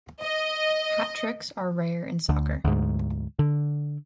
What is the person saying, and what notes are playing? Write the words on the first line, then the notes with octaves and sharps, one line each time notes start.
Hat tricks are rare in soccer.
D#5
D2
D2 G#2
D3